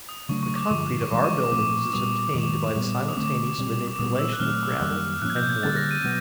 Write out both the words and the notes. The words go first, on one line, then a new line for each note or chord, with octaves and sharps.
The concrete of our buildings is obtained by the simultaneous manipulation of gravel and mortar.
D#6
C#3 F#3 A3 D4 C#6
C#6
D6
G2 D3 F3 C#6
C#6
G2 E3 G#3 D6
C#6
D6
A#2 F3 A3 C4 D6
A#2 G3 B3 D#6
F#2 D#3 G#3 D6
A#2 G3 B3
D#6
D3 F3 A3 C4 D6
B2 G3 C4
D6
A#2 G3 B3 D#6
E6
F#6
A#2 F#3 A3 C4 F6
F#2 D#3 G3 A#3 F#6
A2 F3 A#3 C#4 F#6
G#6
G6
G#6
D3 G3 A#3 C#4 A6
A#6
D#7
B2 F#3 B3